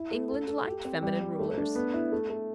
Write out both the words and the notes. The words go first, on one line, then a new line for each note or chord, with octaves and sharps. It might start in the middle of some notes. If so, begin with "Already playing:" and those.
England liked feminine rulers.
Already playing: E4
A3
A4
A4
G4
C4
G3
G3
A3
D4
B3
E4
A3
A3